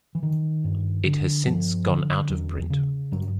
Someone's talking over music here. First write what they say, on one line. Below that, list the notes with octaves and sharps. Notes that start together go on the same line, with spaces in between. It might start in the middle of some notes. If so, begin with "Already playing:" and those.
It has since gone out-of-print.
E3
D#3
G2
D3
G2 F3
D3
E2 F#3
C#3
G2 F#3